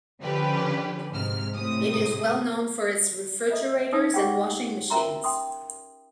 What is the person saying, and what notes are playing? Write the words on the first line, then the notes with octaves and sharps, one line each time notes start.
It is well known for its refrigerators and washing machines.
D3 F3 C#4 G4 B4
G#2 C3 F6
A2 C3 D#6
A4 D#5 E5
D#4 B4 D#6 E6
G4 G#4 C#5 F#5 G5
C#4 A#4 E5 A#5 C6
G5 C6 D#6